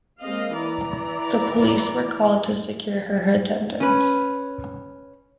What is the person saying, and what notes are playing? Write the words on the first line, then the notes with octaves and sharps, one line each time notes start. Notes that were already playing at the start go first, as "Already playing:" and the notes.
The police were called to secure her attendance.
G#3 A#3 C4 D#5 F5
E3 E4 D5 A#5
C#4 B4